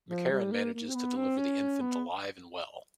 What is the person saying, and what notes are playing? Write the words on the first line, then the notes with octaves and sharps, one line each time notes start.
McCarron manages to deliver the infant alive and well.
F3
G3
A#3
A#3
C4
B3
C4
C#4
B3